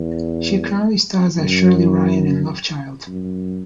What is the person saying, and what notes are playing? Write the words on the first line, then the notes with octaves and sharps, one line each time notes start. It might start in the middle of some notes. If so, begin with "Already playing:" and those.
She currently stars as Shirley Ryan in Love Child.
Already playing: E2
F#2
F#2